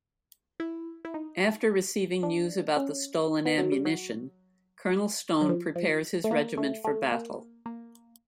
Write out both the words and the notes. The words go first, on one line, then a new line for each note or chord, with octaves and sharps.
After receiving news about the stolen ammunition, Colonel Stone prepares his regiment for battle.
E4
E4
D#4
D4
C#4
B3
F#3
G3
F#3
F#3
F3
F3
A3
A#3
A3
A3
A#3
A#3